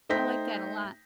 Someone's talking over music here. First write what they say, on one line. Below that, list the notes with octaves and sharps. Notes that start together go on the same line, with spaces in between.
I like that a lot.
A3 D#4 C5 G5 A#6 B6